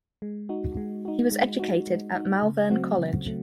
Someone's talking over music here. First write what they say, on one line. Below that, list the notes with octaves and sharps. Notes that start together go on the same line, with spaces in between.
He was educated at Malvern College.
G#3
D#4 F#4
G#3
D#4 F#4
G#3
D#4 F#4
G#3
D#4 F#4
C#3
F#3 A3 C4 F#4
C#3
F#3 A3